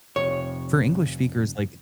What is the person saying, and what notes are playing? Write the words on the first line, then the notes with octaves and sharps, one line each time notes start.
for English speakers, like,
F2 C3 C#5